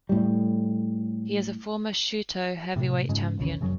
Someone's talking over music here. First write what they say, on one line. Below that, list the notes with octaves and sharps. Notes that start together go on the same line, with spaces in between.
He is a former Shooto Heavyweight Champion.
A2 G3
A2 C3
G#2 C#3 G#3
A#1 D#2 C#3
F#1 C#3 F#3